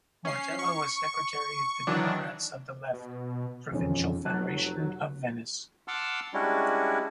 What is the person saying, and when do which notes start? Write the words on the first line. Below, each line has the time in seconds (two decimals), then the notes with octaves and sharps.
Martella was secretary of the Democrats of the Left provincial federation of Venice.
0.25 C#4 C7
0.59 C#6
1.87 D#3 E3 F#3 D4
2.93 B2
3.71 E1 F2 D#3 F3 C#4
4.25 F1 F#3 A5 D6 F#6
5.88 F#5 A5 C6 D6 E6 F6
6.34 G3 G#3 C#4 D4 E4 F#4